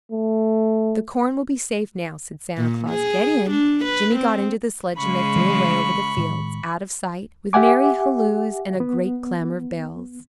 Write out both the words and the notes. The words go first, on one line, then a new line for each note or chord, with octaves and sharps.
"The corn will be safe now," said Santa Claus, "get in." Jimmy got into the sledge and they flew away over the fields, out of sight, with merry halloos and a great clamour of bells.
A3
A#2
G#4
D4
B4
C4
C#3 G#3 B5 C#6
E3 F#3 A3
A2 D#3 G#3
G4 E5 F#5 G#5 D6
B3